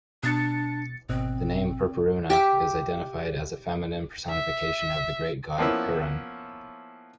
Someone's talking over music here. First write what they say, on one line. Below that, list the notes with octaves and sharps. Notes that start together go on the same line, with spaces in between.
The name "Perperuna" is identified as a feminine personification of the great god Perun.
B2 D4 A6 C#7
G#1 B2 C4
G4 E5 D6
E5
F3 A#3 B3 C#4 E4